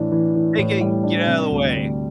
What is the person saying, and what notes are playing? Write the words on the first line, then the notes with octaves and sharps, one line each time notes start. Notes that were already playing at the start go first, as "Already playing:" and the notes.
Hey, King, get outta the way.
Already playing: A2 E3 D4
E3
E3
A2
G3
D4
C3
D2
D2